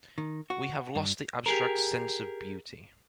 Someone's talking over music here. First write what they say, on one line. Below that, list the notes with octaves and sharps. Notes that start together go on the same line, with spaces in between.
We have lost the abstract sense of beauty.
D#3
F#4
G2
G4 G#4 A#4